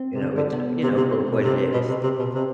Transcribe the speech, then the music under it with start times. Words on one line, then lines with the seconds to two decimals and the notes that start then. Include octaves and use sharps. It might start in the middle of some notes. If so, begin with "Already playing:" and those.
You know, it you know, for what it is.
Already playing: C4
0.15 C3
0.22 D3
0.37 D3
0.52 C3 B3
0.83 C3
0.97 C3
1.13 C4
1.31 B2
1.44 C3
1.74 B2
1.89 C3
2.03 C3
2.19 B2
2.34 C3